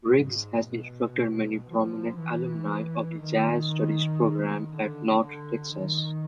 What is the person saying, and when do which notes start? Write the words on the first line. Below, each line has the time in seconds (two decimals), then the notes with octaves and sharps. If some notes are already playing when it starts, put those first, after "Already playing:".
Riggs has instructed many prominent alumni of the Jazz Studies program at North Texas.
0.16 G#2
0.67 B2
1.68 F3
2.18 E3
3.20 D#3
4.73 D3
5.23 D3
5.74 D#3